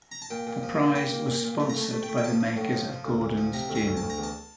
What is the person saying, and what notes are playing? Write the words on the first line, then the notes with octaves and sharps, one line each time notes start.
The prize was sponsored by the makers of Gordon's Gin.
A#5
A5
A#2 G5
A#2
F3
A#2
A#3 G5
A#3
A#2
A#2
A3
A#5
A3 A5
A3
G5
A3
G5
F3 A5
F3
A2
F3
F3
D2
D2
F3
C3 A#5
D2
A#5
D2
D2 A5
A#5
E2
A5